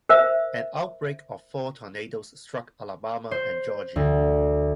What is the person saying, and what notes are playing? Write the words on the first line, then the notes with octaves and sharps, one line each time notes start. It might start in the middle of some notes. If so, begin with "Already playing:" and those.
An outbreak of four tornadoes struck Alabama and Georgia.
A#4 C5 E5
C5
D2